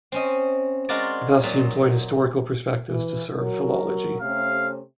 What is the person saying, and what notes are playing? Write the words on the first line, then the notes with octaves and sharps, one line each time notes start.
Thus, he employed historical perspectives to serve philology.
C4 C#4 D#5
G#3 F4 F#4 A#4 D5
A#2 F#3 D#4
E3
F#3 A#4
C3 A3 C#4 F5